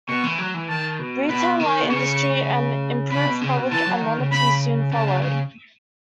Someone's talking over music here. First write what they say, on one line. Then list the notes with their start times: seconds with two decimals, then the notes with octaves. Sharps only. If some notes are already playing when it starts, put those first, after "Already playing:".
Retail, light industry and improved public amenity soon followed.
0.08 B2 C#6
0.24 E3
0.38 F#3
0.54 E3
0.69 D#3 A5
0.99 B2
1.30 B2 B5
1.60 D#3
1.82 B2
1.90 C#3 C#6
3.11 C#3 B5
3.26 B2
3.41 C#3
3.57 B2
3.71 E3 A5
3.87 F#3
4.01 D#3
4.17 C#3
4.32 C#3 B5
4.92 C#3 A5
5.07 C#3
5.22 C#3